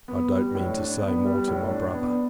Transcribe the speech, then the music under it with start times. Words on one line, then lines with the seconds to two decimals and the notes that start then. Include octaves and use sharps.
I don't mean to say more to my Brother.
0.08 B3
0.31 G3
0.55 A2
0.78 D4
1.01 B3
1.25 G3
1.47 A2
1.71 D4
1.94 B3